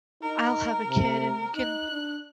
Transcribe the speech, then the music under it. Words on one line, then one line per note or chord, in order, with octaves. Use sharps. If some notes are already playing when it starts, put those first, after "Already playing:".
I'll have a kid, and we can
D#4 A#4
C3
D#4 F#6
D4